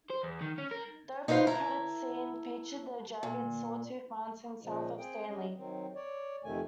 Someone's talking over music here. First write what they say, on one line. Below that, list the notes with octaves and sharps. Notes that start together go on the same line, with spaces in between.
The opening credits scene featured the jagged Sawtooth Mountains south of Stanley.
C5
E2
D#3
C#4
A#4
D#4 E4 B4 C5 F5
E4 A4 A#5
A#2
A#2 C#3 F3 G#3
C4 G#4 G5
G3 G#3 C#4 D#5
D#3 F#3 C4
C#5 D5
F2 C3 D#3 A3 G#5